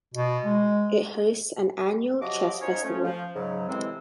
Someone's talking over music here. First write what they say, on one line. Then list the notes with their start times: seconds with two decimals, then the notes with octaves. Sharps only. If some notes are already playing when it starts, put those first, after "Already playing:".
It hosts an annual chess festival.
0.14 B2
0.44 G#3
2.21 C3 F3 F#3 F#4 D#5 D6
2.61 C#4 D#4 F4 C5 C#5
2.83 F3 A3 C#4
3.04 F3
3.35 G#2 C#3 F#3
3.68 A2 C3 E3 G#3 C4